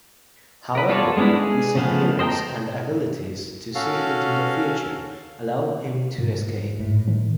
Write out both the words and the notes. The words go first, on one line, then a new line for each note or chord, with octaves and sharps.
However, his appearance and abilities to see into the future allow him to escape.
A#4 B4
B3 F4 A4 C#5 D5
G#3 B3 C#4 D4 E4
G#4
C#3 F3 A3 B3 F5
C5 D#5 G5 A5 A#5
C#4 F#4 A4 F5
G#2
A2
D#3